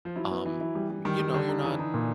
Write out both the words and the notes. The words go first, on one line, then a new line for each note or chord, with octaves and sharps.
um, m you know, you're not,
F3
F#3 E4
B3
E3 E4
E4
G3
G3
D#3 G3
G3
D3 G4
D#4
E3 D#4
D#4
A#2